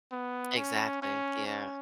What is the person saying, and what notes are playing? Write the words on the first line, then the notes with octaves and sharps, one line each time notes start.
Exactly, yeah.
B3
C#4
C#4
C#4